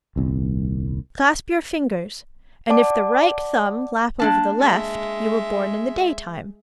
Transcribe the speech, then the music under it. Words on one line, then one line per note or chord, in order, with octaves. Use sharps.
Clasp your fingers, and if the right thumb lap over the left you were born in the daytime.
D#1 C2
D5 F#5 A5 D6
A#3 D4 A5
G#3 E5